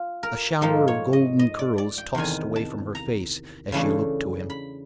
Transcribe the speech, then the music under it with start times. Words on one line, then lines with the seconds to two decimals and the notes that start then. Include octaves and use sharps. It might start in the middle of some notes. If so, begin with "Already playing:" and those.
A shower of golden curls tossed away from her face as she looked to him.
Already playing: F4
0.23 A#4
0.61 G#2 F3 A#3 D#4 A4
0.88 C#5
1.13 D#5
1.39 D#5
1.59 D5
1.78 D5
1.98 G5
2.15 E2 C3 D#3 G#5
2.56 A5
2.95 A#5
3.72 C#3 E3 A3 D4
4.50 B5